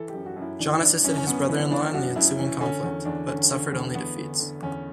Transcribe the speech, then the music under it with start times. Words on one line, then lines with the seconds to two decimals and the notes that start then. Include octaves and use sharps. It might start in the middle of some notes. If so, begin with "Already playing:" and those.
John assisted his brother-in-law in the ensuing conflict, but suffered only defeats.
Already playing: E3 A4
0.09 F#2 G4
0.26 F#4
0.36 F#2
0.42 E4
0.60 E3 D4
0.81 E3 D4
1.04 F#2 C#4
1.18 C#4
1.27 F#2 B3
1.48 E3 C#4
1.71 E3 D4
1.94 F#2 F#4
2.16 F#2 E4
2.38 E3 C#4
2.60 D3 C#4
2.83 E2 C#4
3.05 E2 D4
3.28 D3 C#4
3.50 D3 C#4
3.72 E2 B3
3.95 E2 B3
4.17 D3
4.40 D3
4.62 E2 C#4